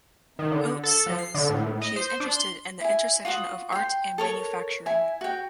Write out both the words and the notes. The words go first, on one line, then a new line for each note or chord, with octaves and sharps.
Oates says she is interested in the intersection of art and manufacturing.
D#3
D3
A4
F3
C7
D3
A2
A2
D#5
C5
D4
C6
E4 G#5
F4 F#4 F#5 D#6
G5 C6
A4 A#4 C#5
E4 G#5
F#4 G5